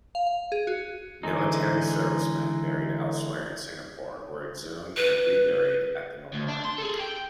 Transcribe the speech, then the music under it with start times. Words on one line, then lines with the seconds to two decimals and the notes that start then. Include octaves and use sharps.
Military servicemen buried elsewhere in Singapore were exhumed and reburied at the memorial.
0.15 F5
0.27 F5
0.52 G#4
0.67 F#4
1.23 D3 E3 G#3 D#4
4.96 B4
6.33 D2
6.48 D4
6.65 C6
6.78 G#4 A4
6.99 G5